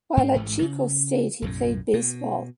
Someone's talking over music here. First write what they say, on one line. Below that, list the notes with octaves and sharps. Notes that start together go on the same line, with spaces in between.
While at Chico State, he played baseball.
G#2 C4
A1 G#2 A3
C#3
B1 F#2 A2
B2